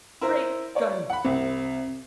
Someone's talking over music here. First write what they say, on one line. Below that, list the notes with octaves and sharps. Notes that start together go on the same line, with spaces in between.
Great guns!
E4 A#4 C5
C#5 D5
F#5 B5
C2 C4